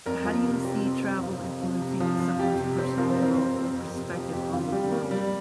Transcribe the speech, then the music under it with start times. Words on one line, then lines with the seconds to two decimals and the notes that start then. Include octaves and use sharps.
how do you see travel influencing someone's personal growth or perspective on the world?
0.06 F2 A#4
0.25 F3
0.45 C3
0.64 C4 G4
0.84 C4
1.03 F2
1.23 C3 F4
1.43 F2
1.62 F3
1.81 C3
2.00 F3
2.20 F3
2.39 F2 G4
2.59 C3
2.78 C4
2.98 F3 A#4
3.10 C5
3.17 C4
3.22 A#4
3.37 C4
3.56 C4 A#4
3.75 F2
3.95 C3
4.14 F3 G4
4.33 F2 G4
4.53 F2 F4
4.72 G3 G4
4.91 A#3
5.11 G3